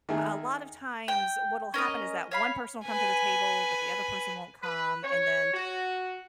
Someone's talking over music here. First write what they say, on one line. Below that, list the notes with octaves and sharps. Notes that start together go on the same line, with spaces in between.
a lot of times what'll happen is that one person will come to the table, but the other person won't come. And then
D#3 A3 G#4
G5
C#4 A#4 D5 D#5
C#5 F5 B5
B4 G#5
B4
C#5
F#4